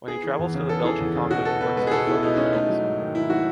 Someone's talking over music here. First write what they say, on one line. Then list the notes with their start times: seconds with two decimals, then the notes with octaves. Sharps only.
When he travels to the Belgian Congo he works as a photojournalist.
0.08 B3 G#4
0.23 E3
0.39 E2
0.54 C#3
0.69 B3 A4
0.84 E3 G#4
1.00 E2
1.16 C#3
1.30 B2 F#4
1.45 B3 A4
1.61 B2 B4
1.76 G#3 B4
1.87 G#4
1.91 B2 A4
2.07 B3 E4
2.22 B2 D#4
2.38 G#3 C#4
2.53 A3 D#4
2.69 F#3
2.84 G#2
2.99 D#3
3.15 A3 E4
3.30 F#3 F#4